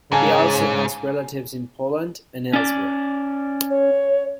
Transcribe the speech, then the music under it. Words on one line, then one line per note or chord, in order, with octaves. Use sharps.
He also has relatives in Poland and elsewhere.
G#2 C#3 F5 G#5 A5
C#4 D5
C#5